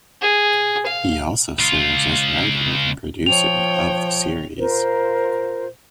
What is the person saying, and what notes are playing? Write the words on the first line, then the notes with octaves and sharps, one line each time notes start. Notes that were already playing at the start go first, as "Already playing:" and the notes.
He also serves as writer and producer of the series.
G#4
F5
C#2 F4
F3 C#5 G5 F7
F4 A#4 C5